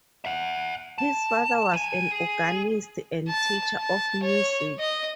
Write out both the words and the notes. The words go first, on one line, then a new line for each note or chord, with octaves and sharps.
His father was an organist and teacher of music.
E5 F#5
A5
F3 G#5
G#4
A5
A5
C#5
D#5